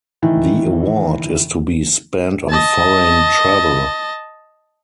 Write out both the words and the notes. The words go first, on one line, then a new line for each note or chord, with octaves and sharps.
The award is to be spent on foreign travel.
A2 D#3 E3
D#5 A5